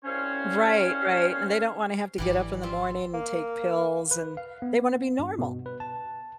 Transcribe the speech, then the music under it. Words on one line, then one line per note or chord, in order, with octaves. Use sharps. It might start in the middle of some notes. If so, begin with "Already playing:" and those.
Right, right, and they don't wanna have to get up in the morning and take pills, and they want to be normal,
C2 C#4 C5 C#5 F5
G#1 E3 G3 G4
C4 F4 E5
A#3
B4
F5
B3
G2
B2
B4
A5